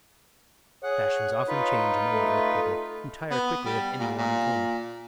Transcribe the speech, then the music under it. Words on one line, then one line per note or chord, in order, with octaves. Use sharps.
Fashions often change among the earth people, who tire quickly of any one thing.
G#4 C#5 F#5
D#4 F4 B4
A3
B3
G3
A#2
A#2